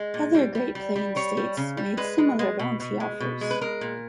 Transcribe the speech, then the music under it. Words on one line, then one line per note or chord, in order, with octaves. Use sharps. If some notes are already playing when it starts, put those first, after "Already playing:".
Other Great Plains states made similar bounty offers.
Already playing: G#3
A#2
G3
G3
G3
G3
G3 C#5
G3
C#3
G3
G#3 B4
G#3
G#3
B2
B2
G#3
B2
G#3
B4
G#3 A#4
A#2